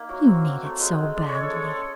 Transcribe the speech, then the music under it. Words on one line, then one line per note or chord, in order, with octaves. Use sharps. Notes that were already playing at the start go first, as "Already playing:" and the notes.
You need it so badly....
Already playing: A#3 D#4 E5
F#3
C4
F#3
A3
G#3
G#3
G#3 D5
C#5
C#4
A4
G#3
C#4